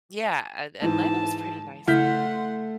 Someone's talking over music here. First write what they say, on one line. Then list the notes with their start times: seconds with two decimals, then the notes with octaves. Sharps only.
yeah, At Atlanta was pretty nice.
0.82 G#2 E3 A5
1.88 C#3 A3 E4 F#5 C6 F6 G6 B6